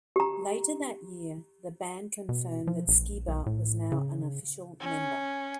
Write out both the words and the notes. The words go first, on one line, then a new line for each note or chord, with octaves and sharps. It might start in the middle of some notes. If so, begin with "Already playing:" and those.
Later that year, the band confirmed that Skiba was now an official member.
G4 A#5
B2
F3
A#1
B1
A2
C#3
C#4